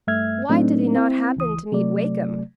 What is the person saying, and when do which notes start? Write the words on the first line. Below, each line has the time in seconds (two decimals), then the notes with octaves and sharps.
Why did he not happen to meet Wakem?
0.07 G2 A3 E5 F6 G#6
0.49 A2 F#3 A3 C4 D4 D#4
0.96 C4 E4
1.37 C#2 E3 D#6
1.72 C3 F#3 A3 D5